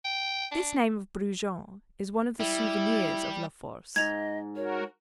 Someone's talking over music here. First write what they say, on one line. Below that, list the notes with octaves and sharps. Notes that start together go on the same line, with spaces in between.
This name of Brujon is one of the souvenirs of La Force.
G5
D4
G3 E4
G#2 D#5 G#6 F7
F#4 A#4 C#5